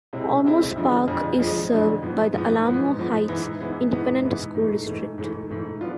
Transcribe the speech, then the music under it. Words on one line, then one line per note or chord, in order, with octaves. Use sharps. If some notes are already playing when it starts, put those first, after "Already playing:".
Olmos Park is served by the Alamo Heights Independent School District.
C3 G#3 C4 E4
C3 G#3 C4 E4
F2 D3 F3 G#3
F2 D3 F3 G#3
F2 D3 F3 G#3
F2 D3 F3 G#3
G#2 F3 B3
G#2 F3 B3
G#2 F3 B3
G#2 F3 B3
G#2 E3 B3 E4
G#2 E3 B3 E4
G#2 E3 B3 E4
G#2 E3 B3 E4
G#2 E3 A3
G#2 E3 A3
G#2 E3 A3
G#2 E3 A3
F3 B3 D4 F4